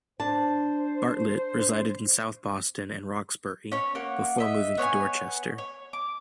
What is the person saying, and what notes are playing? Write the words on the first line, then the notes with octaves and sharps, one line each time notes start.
Bartlett resided in South Boston and Roxbury before moving to Dorchester.
D4 C5 A5
C#4 C#5
A#3 F#5
D#5 E5
B3 C#5 F5 G#5
C#5
D6